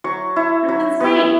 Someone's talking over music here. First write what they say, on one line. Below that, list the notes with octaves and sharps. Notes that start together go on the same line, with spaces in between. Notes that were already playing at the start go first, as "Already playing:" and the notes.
That's insane.
F#3 C#6
E4
F#3
B3 E4